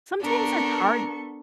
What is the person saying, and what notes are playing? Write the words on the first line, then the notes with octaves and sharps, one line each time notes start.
Sometimes it's hard
B3 D4 A4 A#4 C#6